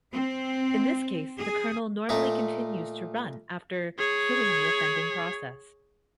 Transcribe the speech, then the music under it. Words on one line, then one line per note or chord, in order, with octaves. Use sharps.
In this case, the kernel normally continues to run after killing the offending process.
C4
G#4
A#2 A3 D#4
G#4 C#5